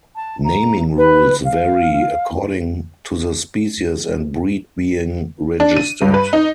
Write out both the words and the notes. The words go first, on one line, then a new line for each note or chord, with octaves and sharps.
Naming rules vary according to the species and breed being registered.
A5
A#5
B4
F5
D4
D#7
G2
B4
D#4